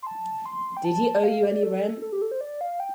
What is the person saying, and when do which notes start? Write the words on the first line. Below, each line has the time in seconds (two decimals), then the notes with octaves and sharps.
Did he owe you any rent?
0.02 C6
0.07 A5
0.46 C6
0.77 G5
0.85 A5
1.23 F5
1.43 D5
1.63 A4
2.02 A4
2.12 G4
2.22 A4
2.31 C5
2.41 D5
2.61 F5
2.80 G5